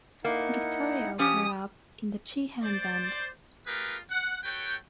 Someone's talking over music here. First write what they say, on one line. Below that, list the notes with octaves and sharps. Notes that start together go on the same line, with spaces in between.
Victorio grew up in the Chihenne band.
A#3 D#4 E4 F#5
F3 C#4 G4 D#6
C5 D5
A3 F4 G4 G#4 A#4 B4
F#5
F#4 A4 B4 C#5 G5